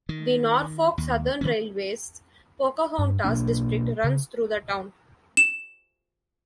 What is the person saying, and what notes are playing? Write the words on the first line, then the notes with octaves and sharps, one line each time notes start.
The Norfolk Southern Railway's Pocahontas District runs through the town.
D#3
D#2
D#3 E3 C#4
G2
B2 A#3 D4
C#3
E7